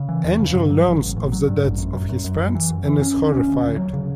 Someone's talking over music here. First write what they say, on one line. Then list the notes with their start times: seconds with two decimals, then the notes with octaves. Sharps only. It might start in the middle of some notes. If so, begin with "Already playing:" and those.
Angel learns of the deaths of his friends and is horrified.
Already playing: C#3
0.09 E3
0.24 E2
0.40 C#3
0.55 G2
0.70 F#3
0.85 A1
1.01 A1
1.17 A1
1.32 F#3
1.47 G2
1.63 A1
1.78 F#2
1.93 F#2
2.09 F#2
2.24 F#2
2.39 F#2
2.55 E3
2.70 F#2
2.85 E3
3.01 C#4
3.16 D2
3.32 C#4
3.47 D2
3.63 D2
3.78 F#3
3.93 C#3